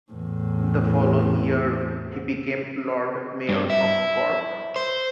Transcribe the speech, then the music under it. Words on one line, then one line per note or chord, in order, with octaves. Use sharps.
The following year he became Lord Mayor of Cork.
E2 A2
G2
E4
C5